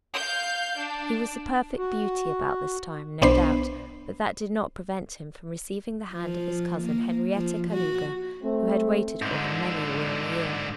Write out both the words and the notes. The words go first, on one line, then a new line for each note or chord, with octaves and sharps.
He was a perfect beauty about this time, no doubt, but that did not prevent him from receiving the hand of his cousin Henrietta Kalouga, who had waited for him many a weary year.
F5 G6
D4
F#4
B1 B3 D4 C5 B5 C7
F3
A#3
F3
F#4
A3 C4
G#2 D3